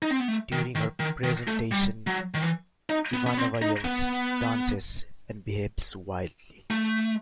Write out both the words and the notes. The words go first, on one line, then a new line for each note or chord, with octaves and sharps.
During her "presentation" Ivanova yells, dances, and behaves wildly.
D#4
C4
B3
A3
D#3
D#3
D#3
D#3
A3
G3
F#3
D#3
E3
D#4
B3
B3
C4
D#4
B3
A3